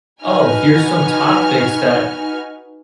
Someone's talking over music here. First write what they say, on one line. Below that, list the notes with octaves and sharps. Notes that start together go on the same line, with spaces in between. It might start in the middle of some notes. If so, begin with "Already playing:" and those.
"Oh, here's some topics that
D#4 F#4 B4 G#5 F6